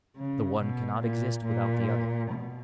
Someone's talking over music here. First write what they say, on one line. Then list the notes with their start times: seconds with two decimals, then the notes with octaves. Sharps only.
The one cannot exist without the other.
0.16 C#3
0.59 B2
1.02 A#2
1.45 A#2
2.31 B2